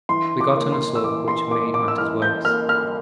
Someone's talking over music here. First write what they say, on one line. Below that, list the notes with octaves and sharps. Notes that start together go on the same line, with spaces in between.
We got on a slope which made matters worse.
E3 C6
D6
A#3
C6
E6
E3 D6
C6
A#3 D6
D6
E6
E3 F6
G6
A#3 F6
F6